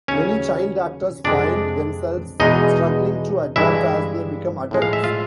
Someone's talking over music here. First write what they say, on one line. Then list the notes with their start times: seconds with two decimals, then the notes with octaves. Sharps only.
Many child actors find themselves struggling to adapt as they become adults.
0.08 D#2 C#3 F#3 C#4 C#5
1.24 F2 C3 F3 G#3 D4 D5
2.40 E2 B2 G#3 D#4 D#5
3.56 G2 E3 G#3 E4 E5
4.71 A2 F3 G#3
4.82 F5
4.93 E5
5.04 F4 F5